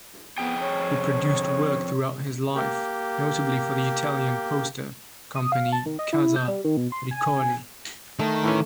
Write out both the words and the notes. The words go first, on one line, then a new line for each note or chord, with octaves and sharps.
He produced work throughout his life, notably for the Italian poster company Casa Ricordi.
F2 B3 G#4 G5
C#5
A#3 G4
D#6
F5
A5
D#3
D#5
E4
G6
G3
D#3
B2
C6
G#5
D#3 A3
A2 E3 C#4